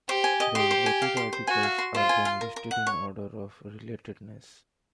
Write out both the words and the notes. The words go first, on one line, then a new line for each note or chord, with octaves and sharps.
The related articles are then listed in order of "relatedness".
G4 C5
G#5
D#5
G4 C6
C5
G#5
F5
C6
C5
F#4 G#5
F5
C6
F4 C5
G#5
F5
A#4
A#4
F#5
C#5